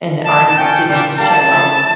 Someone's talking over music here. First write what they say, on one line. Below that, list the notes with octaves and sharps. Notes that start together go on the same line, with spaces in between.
And the artist didn't s show up,
A#2 A3 D4 F4 A5
F3 A#3 C#4 G5
A#2 G3 D4
D3 G3 A#3 A5
F3 A3 E4